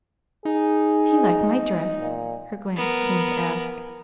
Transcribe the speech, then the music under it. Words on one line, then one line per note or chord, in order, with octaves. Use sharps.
"Do you like my dress?" her glance seemed to ask.
D#4 G#4
A#2
B3 A#4